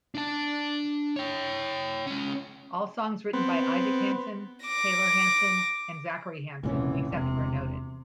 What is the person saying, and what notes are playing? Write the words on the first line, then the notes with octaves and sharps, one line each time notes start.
All songs written by Isaac Hanson, Taylor Hanson and Zachary Hanson, except where noted.
D4 A5
C#5 G5
G#3 C#4
B3 C4
D6 A#6
F1 C#2 A#2 E3 C#4
E1 C3